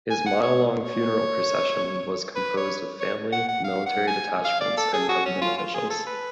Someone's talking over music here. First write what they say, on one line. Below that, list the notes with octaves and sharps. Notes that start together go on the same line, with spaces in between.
His mile-long funeral procession was composed of family, military detachments and government officials.
G#5
F#5
C#5
C#5
B4
C#5
C#5
F#5
F#5
F5
F#5
G#5
F5
D5
A4
G#4
F#4
C#4
F4
F4
G#4
A4
B4